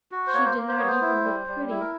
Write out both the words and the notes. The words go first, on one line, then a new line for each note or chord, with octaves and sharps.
She did not even look pretty!
F#4
C5
A#3 C#5
C5
A#3
C5
B3 C#5
C5
E4
G3
G3
E4
A#4